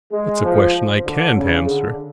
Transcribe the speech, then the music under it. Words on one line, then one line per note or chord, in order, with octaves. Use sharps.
That's a question I can't answer.
G#3
F3
D3
C#3
D3